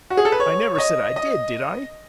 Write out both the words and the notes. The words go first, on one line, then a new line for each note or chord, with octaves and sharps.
I never said I did, did I?
F#4
G#4
A4
B4
C#5
C#5
D#5
D#5